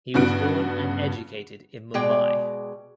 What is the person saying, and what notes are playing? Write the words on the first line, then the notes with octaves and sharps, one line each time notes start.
He was born and educated in Mumbai.
G2 C#3 B3 F#4 F#6 D7
B2 G#3 G#4 D5 G5